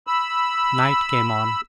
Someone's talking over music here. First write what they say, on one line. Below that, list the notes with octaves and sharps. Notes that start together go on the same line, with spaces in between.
Night came on.
B5 E6